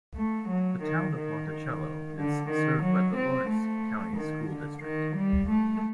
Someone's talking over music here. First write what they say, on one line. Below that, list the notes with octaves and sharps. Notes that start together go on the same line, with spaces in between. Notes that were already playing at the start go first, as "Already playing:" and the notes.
The Town of Monticello is served by the Lawrence County School District.
A3
F#3
D#3
D#3
D#3
D3
D#3
F#3
C4
A3
D#3
D3
D#3
G3
A3